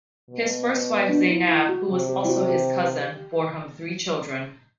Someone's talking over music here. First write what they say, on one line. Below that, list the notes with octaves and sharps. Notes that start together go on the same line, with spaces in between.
His first wife Zeynab, who was also his cousin, bore him three children.
B2
D4
E4
E4
F#4
C3 G4
G4
E4
F#4
F#4
G4